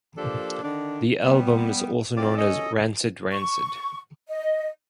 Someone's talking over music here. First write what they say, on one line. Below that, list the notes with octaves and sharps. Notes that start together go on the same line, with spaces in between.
The album is also known as Rancid Rancid.
F3 A#3 D4 G4 A4
D3 D#3 D4
G3 B3
C4 F4 D5
C#4 A4 D#5
C#6
D#5